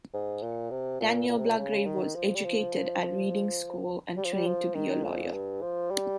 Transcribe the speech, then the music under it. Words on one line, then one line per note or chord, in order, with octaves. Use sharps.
Daniel Blagrave was educated at Reading School and trained to be a lawyer.
G#2
A#2
C3
A#2
A#2
C3
A#2
C#3
D#3
F3
G3
F3
G3
F3
G3
F3
D#3
F2
G2
F3
G3